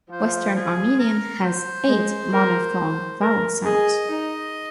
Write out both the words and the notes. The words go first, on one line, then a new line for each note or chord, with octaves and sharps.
Western Armenian has eight monophthong vowel sounds.
F3 C5
G#4
A#4
C5
G#3
A#4
A#4
G#4 D#5
D#4